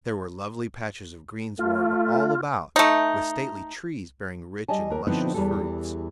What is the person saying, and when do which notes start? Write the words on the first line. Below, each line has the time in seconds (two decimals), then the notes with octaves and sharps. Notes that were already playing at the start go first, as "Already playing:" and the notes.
There were lovely patches of greensward all about, with stately trees bearing rich and luscious fruits.
1.59 A3 F4
2.76 A3 D#4
4.68 G3 D#5 G#5 A5
4.90 D#2 A#4
5.07 D3 F3 B3 C4 D#4 E4
5.34 E2 E3 G3 B3 G#4 A4